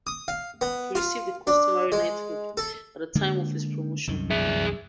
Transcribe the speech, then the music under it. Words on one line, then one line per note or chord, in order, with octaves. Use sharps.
He received the customary knighthood at the time of his promotion.
D#6
F5
B3
F4
D4
G#3
A4
D3 G#3 A#3
C2 F#2 D#3
G#4 E5